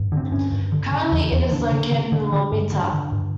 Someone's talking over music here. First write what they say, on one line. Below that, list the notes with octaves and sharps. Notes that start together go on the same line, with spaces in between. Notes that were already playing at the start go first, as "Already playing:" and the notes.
Currently it is located in Lomita.
Already playing: G2
D3 C4
G2 C#4
G2
D3
C#3
E2
E2
C#3 D4
C#3
C#3
D3
D3
G2
D3
D3
G2